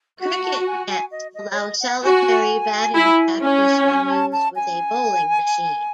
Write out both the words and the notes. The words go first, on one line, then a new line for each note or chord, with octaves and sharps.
Cricket nets allow solitary batting practise when used with a bowling machine.
F#4 F#5
A5
G#5
G#5
D#5
D#5
C#5
D#5
F#5
F#4 G#5
E4
C#4
G#5
A5
A5
G#5